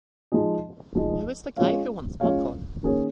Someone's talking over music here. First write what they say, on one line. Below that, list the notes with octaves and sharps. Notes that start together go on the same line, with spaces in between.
Who is the guy who wants popcorn?
F3 G#3 D#4 G#4 D#5
F3 G#3 D#4 G#4 D#5
G#3 C#4 F4 C#5 F5
G#3 C#4 F4 C#5 F5
D#3 A#3 C#4 G#4 C#5